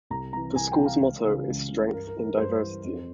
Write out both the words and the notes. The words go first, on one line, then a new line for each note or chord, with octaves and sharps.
The school's motto is "Strength in Diversity".
C2 A#5
C3 E3 A#5
C2 G#5
G5
C3 E3
F5
C#2
C#3 E3
C#2
C#3 E3
G2 A#4
A#4
E3
A#4
G2 C5
E3
F2